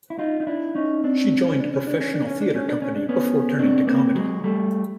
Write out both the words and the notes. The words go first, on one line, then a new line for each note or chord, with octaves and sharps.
She joined a professional theatre company before turning to comedy.
E4
D#4 F4
D#4
D4 E4
C#4 D#4
C4 D4
C#4
D4
C#4
D4
C#4
D4
C#4
D4
C#4
D4
C#4
D4
B3 C#4
C4 D4
A#3 C4
F#3 G#3
G3 A3